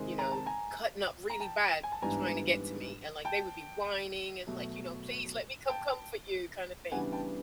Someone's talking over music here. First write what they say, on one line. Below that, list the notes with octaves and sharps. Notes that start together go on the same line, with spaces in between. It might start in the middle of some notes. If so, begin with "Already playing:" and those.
you know, cutting up really bad trying to get to me, and, like, they would be whining and, like, you know, "Please, let me come comfort you," kinda thing.
Already playing: C3 D#3 G#3 C4 D#4
A#5
A5
G#5 A#5
A#5
G5 A5
G#5
A5
G#2 E3 G3 B3 D4 G#5 A#5
G5 A5
B2 F#3 A3
G5 A5
C#3 E3 G3 B3 D4 F#5 G#5
G5 A5